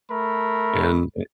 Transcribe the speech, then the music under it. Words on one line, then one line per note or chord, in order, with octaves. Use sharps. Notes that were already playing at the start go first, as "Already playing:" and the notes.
and, eh"
A3 A#4 B5